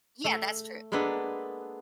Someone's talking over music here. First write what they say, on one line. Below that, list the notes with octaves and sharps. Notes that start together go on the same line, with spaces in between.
Yeah, that's true.
A3
G#3 A#3 B3 D4 A4 B4